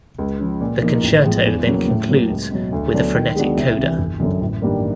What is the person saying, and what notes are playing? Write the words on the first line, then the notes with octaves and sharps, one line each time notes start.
The concerto then concludes with a frenetic coda.
C#2
C#3 F3
A#2
F3 A#3 D#4
A1
A2 F3 G#3 B3
E2
C#3 F#3 A#3 C#4
A2
F#3 A#3
C#2
B2 F#3
D2
D3 F#3 B3 D4
D#3
G#3 B3 D4 F#4
C2
C3 E3
G1
F#2 D3 F#3
A1
G2 D#3 G3 A#3